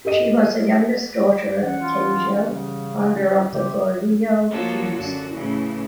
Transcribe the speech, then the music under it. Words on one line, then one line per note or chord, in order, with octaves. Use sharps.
She was the youngest daughter of Taejo, founder of the Goryeo dynasty.
G4 A4 D#5 D#7
E3 C#4 F#5
F4
G3
C#3
C#3 G4 C5 E5
F3 A#3 F4 F#4 A4 C#5
F#2 D3 F#4
A2 C#3 E3